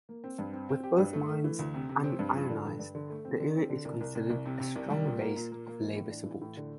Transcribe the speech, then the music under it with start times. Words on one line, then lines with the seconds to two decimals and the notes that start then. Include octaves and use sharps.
With both mines unionized, the area is considered a strong base of labour support.
0.09 A#3
0.24 C4
0.39 G2
0.53 C4
0.69 C4
0.83 G4
0.98 G2
1.13 A3
1.29 A3
1.44 E3
1.59 D2
1.74 C3
1.89 C3
2.04 C4
2.19 G2
2.35 F3
2.50 D3
2.65 G2
2.79 G2
2.95 D3
3.10 A3
3.25 C4
3.40 D3
3.55 C4
3.70 D3
3.85 C2
4.01 C2
4.15 C2
4.30 C2
4.46 C3
4.60 C3
4.76 C2
4.90 G3
5.05 A#2
5.22 A#3
5.36 A#2
5.52 A#3
5.67 A#3
5.82 E3
5.96 A2
6.11 D4
6.26 E3
6.41 A2
6.57 D3